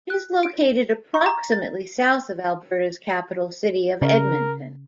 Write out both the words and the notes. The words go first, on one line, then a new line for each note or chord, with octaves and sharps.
It is located approximately south of Alberta's capital city of Edmonton.
F#6
D7
C#6
A#5
A6
C#3 A#4